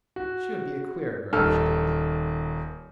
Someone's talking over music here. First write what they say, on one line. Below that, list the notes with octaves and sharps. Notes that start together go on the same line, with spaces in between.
"She would be a queer girl if she didn't."
F#4
D#1 D#3 A4 E6 F6